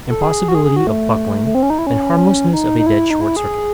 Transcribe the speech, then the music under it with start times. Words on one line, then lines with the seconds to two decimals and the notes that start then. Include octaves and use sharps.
Impossibility of "buckling" and harmlessness of a dead short-circuit.
0.09 A4
0.22 G#4
0.48 F#4
0.55 G#4
0.65 G#4
0.76 F#4
0.87 A3
1.46 A3
1.55 C4
1.63 C#4
1.70 D#4
1.79 E4
1.87 C#4
2.53 D#4
2.79 D#4
2.86 E4
3.10 D#4
3.21 E4
3.36 G#4